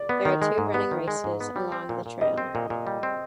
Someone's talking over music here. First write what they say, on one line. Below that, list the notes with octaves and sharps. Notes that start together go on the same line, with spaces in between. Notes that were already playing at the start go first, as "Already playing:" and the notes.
There are two running races along the trail.
Already playing: D5
B3
D#3
G#3
G#2
B3
D#3
G#3
G#2
B3
G3
C4
A#2
A#2
G3 D#5
C4
A#2
A#2
G3
C4